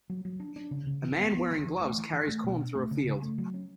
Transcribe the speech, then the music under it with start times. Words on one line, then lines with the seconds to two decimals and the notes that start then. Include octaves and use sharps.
A man wearing gloves carries corn through a field.
0.10 F#3
0.25 F#3
0.40 D4
0.56 D4
0.71 C#3
0.87 C#3
1.03 E3
1.18 B3
1.35 B3
1.50 E3
1.66 E3
1.81 A3
1.98 E3
2.13 E3
2.28 A3
2.44 B2
2.60 D4
2.75 A3
2.91 C#3
3.07 C#3
3.23 A3
3.38 F#3
3.54 C#4